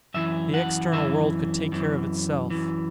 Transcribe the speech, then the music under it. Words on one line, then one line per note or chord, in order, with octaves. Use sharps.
The external world could take care of itself.
F#2 E3 E5
F#5
F#2 E3 E5
F#2 E3
F#2 E3